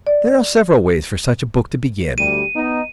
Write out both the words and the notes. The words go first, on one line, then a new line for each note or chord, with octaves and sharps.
There are several ways for such a book to begin.
D5
D2 G3 D#7
B3 D#4